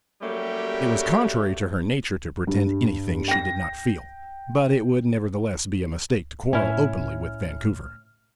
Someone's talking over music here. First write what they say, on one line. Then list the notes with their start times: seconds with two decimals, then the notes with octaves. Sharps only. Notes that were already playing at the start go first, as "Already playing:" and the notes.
It was contrary to her nature to pretend anything she did not feel, but it would nevertheless be a mistake to quarrel openly with Vancouver.
0.22 F#3 G3 A3 A#3 C#4 G4
2.47 G2
3.28 G5 A#6
6.53 A2 C#4 E4 F6